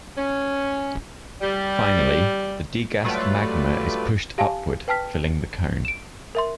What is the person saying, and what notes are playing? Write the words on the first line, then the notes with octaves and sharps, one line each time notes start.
Finally, the degassed magma is pushed upward, filling the cone.
C#4
G3
F#3 G3 A3 F4 B4 D5
G4 F5 G#5 A5
B4 G5 A5 F6 B6
D7 E7
A#4 E5 C6